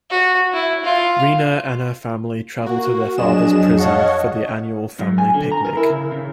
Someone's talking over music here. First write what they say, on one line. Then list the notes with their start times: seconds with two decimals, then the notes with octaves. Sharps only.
Rena and her family travel to the father's prison for the annual family picnic.
0.11 F#4
0.54 E4
0.84 F4
2.62 A#3 F#4
3.18 F2 F#3 D4 G#4 D#5 E7
3.78 C#5 D#5 F5 F#5 A5 C#6
4.99 F#2
5.18 G#5
5.34 D3
5.52 A#5
5.65 A#4
5.77 E4
5.90 C#3
6.12 C#3